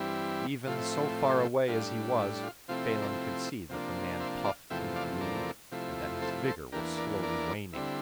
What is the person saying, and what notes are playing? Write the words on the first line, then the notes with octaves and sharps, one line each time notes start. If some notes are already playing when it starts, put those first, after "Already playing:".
Even so far away as he was Phelan could see that the man puffed and blew and that his vigor was slowly waning.
Already playing: G2 E3 G3 C4 E4
A2 F3 A3 C4 E4 F4
E4
A2 G3 D4 F4
E4
F4
C3 F3 A3 C4 E4 F4
A#4 D5
C3 F3 A#3 D4
C5 E5
D5 F5
E2 C3 F3 A3 E5 G5
D5 F5
A#4 D5
C3 F3 A3 E4
A4 C5
A4 C5
E2 E3 A#3 D4 G4 A#4
A#4 D5
A#4 D5
D3 G3 C4 E4